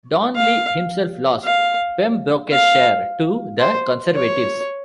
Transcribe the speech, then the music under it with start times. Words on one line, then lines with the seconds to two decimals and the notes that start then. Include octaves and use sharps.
Donnelly himself lost Pembrokeshire to the Conservatives.
0.36 F5
1.44 F5
2.52 F5
3.60 C5
4.14 C#5